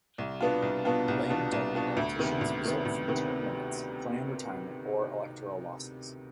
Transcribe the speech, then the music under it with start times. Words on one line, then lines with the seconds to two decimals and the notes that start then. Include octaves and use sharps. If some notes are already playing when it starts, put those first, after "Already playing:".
Lame duck politicians result from term limits, planned retirement, or electoral losses.
0.18 C2
0.41 B2 B3 D4 F4
0.62 C2
0.85 B2 B3 D4 F4
1.08 C2
1.30 B2 B3 D4 F4
1.52 C2
1.75 B2 B3 D4 F4
1.97 D2
2.19 C3 D#3 B3
2.41 D2
2.64 C3 D#3 B3
2.85 D2
3.08 C3 D#3 B3